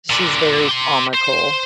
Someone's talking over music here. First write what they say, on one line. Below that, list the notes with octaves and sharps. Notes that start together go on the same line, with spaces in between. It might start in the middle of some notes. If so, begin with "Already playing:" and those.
She's very comical,
A#2 D3
G4 C6
C5